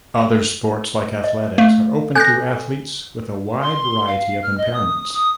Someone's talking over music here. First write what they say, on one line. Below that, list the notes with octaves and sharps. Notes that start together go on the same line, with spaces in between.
Other sports, like athletics, are open to athletes with a wide variety of impairments.
D#5
A3 F5
A4 G#5 F#6 G6 A#6
C6
F5
F6
D#5
D#6
D#6